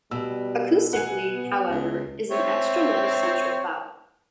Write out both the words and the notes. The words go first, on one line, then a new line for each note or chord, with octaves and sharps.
Acoustically, however, is an extra-low central vowel.
B2 G3 E6
F#5 G#5
B3
C#2
C4 C#5 E5